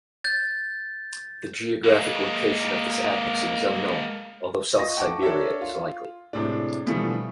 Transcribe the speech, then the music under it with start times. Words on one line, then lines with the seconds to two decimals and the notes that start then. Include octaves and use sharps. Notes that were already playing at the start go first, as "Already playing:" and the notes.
The geographic location of this admixing is unknown, although south Siberia is likely.
0.24 G6 A6
1.83 G#3 A#3
4.77 F4 D#5 C#6 D#6 A#6
4.97 F#5 G5 A5 C#6 D6
5.22 D4 A4 A#4 C#5 E5
5.61 F4
6.33 A2 C3 G#3 D4
6.86 B2 D3 E3 F3 G3 A3